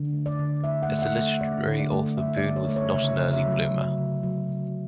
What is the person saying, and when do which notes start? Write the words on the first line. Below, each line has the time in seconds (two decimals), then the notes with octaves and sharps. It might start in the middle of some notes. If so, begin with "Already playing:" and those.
As a literary author Boon was not an early bloomer.
Already playing: D3
0.13 A3
0.26 D5
0.39 D3
0.64 A3 E5
0.83 F#5
0.89 A3
0.99 E5
1.02 F#5
1.15 A3
1.22 E5
1.41 A3 D5
1.67 D3
1.80 D5
1.92 A3
2.18 D3 E5
2.37 D5
2.44 D3
2.56 C#5
2.69 A3
2.76 C#5
2.94 C#3 E5
3.20 C#3
3.33 E5
3.46 F#3
3.72 F#3
3.98 C#3
4.23 F#3
4.49 C#3